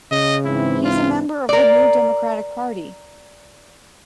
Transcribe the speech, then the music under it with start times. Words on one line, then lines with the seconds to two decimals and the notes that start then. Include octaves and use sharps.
He is a member of the New Democratic Party.
0.12 C#3 D#5
0.45 G#2 E3 C4 E4
0.84 C#2 F4
1.49 A#4 D5